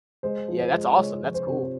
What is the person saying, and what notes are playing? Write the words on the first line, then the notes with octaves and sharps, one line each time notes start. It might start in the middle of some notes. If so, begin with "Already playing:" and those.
Yeah, that's awesome. That's cool.
G#3 C5
F3
C5
G#3
G#3 C#5
F3
C5
C3